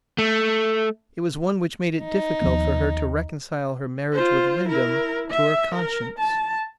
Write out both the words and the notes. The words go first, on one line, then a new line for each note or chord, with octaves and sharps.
It was one which made it difficult for her to reconcile her marriage with Wyndham to her conscience.
A3
D#4
D#2 F3 B3
F4 C5
E4 A#4
E5
A#4
A5